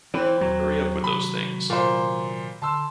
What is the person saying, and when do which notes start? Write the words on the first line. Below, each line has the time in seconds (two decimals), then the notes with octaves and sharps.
Hurry up with those things.
0.14 E3 C4
0.41 D#2 A#2 F#3
1.04 C3 D#3 A#3 B5
1.70 A#2 C5
2.62 D3 A5 C6 E6